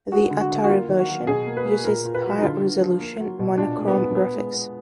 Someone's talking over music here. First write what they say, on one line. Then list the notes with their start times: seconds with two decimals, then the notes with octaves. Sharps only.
The Atari version uses high resolution monochrome graphics.
0.12 G#3 F#4
0.31 D3
0.40 F#4
0.50 D3
0.64 F#4
0.69 A#3 F4
0.88 D#3
0.99 F#4
1.08 F#3
1.27 B2 G#4
1.47 A#3
1.57 B4
1.65 A#3
1.84 A#2 A#4
2.04 A#2
2.14 B4
2.24 F#3
2.39 D#4
2.42 D3 F4
2.61 D3
2.81 F3
3.00 A#3
3.20 F#3
3.39 B2
3.58 A#2 D4
3.78 G#3
3.88 B3
3.97 A#2
4.15 B3
4.35 G#3
4.54 B3